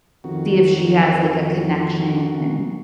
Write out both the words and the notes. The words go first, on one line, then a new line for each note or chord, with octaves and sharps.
See if she has, like, a connection and
F2 D#3 F#4